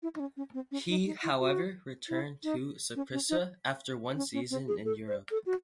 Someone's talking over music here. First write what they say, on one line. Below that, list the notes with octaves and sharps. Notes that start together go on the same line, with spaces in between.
He however returned to Saprissa after one season in Europe.
E4
D#4
C#4
C#4
C4
C#4
D#4
D#4
E4
F#4
E4
D#4
C#4
C#4
D#4
C#4
C#4
C4
G#4
A4
C5
A4
F#4